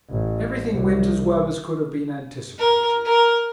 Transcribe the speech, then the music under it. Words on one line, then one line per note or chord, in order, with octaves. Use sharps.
Everything went as well as could have been anticipated.
A1
C2
A#4
A#4